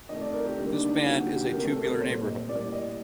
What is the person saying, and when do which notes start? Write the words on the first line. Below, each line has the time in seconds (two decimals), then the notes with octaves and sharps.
This band is a tubular neighborhood.
0.09 C3 D#3 A3 D#5
0.21 D5
0.33 A#4
0.45 G4
0.57 D3 G3 A#3 D#4
0.73 D4
0.89 D#4
1.05 D3 F#3 A#3 F#4
1.21 G4
1.37 G4
1.53 C3 F#3 A3 A#4
1.64 A4
1.76 A#4
1.89 A#4
2.00 A#2 G3 A#3 C5
2.24 D#5
2.48 A2 G3 A#3 D5
2.60 D5
2.72 D#5